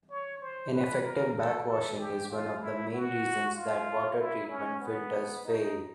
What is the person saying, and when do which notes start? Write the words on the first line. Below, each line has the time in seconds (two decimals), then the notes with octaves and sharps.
Ineffective backwashing is one of the main reasons that water treatment filters fail.
0.10 C#5
0.42 C5
0.73 B4
1.05 A#4
1.36 A4
1.67 A4
1.99 G4
2.30 F4
2.61 E4
2.93 F#4
3.55 F4
4.19 E4
4.49 C#4
4.81 B3
5.45 D#4